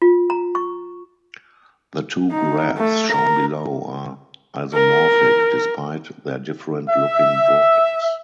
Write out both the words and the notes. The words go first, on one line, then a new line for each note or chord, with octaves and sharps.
The two graphs shown below are isomorphic, despite their different looking drawings.
F4
A#5
C#6
D#4
A3
A#4
A#4
E5